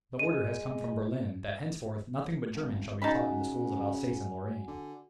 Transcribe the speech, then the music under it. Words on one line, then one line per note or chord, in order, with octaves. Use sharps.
The order has come from Berlin that henceforth nothing but German shall be taught in the schools of Alsace and Lorraine.
G#3 D#7
G#1
C#3 D#4 F#4 F#5 G#5 A5 B5
D3